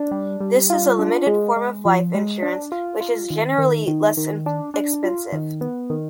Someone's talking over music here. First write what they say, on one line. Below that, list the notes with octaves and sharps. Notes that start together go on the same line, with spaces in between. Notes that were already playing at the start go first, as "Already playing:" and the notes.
This is a limited form of life insurance which is generally less expensive.
Already playing: D4
G3
G3
F4
D4
G#3
G#3
F3
G#3
D4
F4
F4
D#3
D#3
D#3
D#3
D4
D4
F4
D#3
B3
D#3